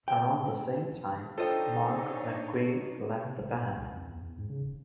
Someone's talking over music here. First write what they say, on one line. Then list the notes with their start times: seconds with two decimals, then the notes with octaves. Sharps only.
Around the same time, Mark McGee left the band.
0.08 G5
1.38 D4 D#4 F4 A4 C5 C#5 D#5 G5
3.24 C3
3.40 A1
3.62 G#2
3.76 C#2
3.90 F2
4.09 E2
4.23 E2
4.38 G#2
4.49 C#3
4.63 D#1